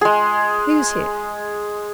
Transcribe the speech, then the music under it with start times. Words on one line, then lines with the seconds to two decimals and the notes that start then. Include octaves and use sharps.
"Who's here?"
0.01 G#3 G#4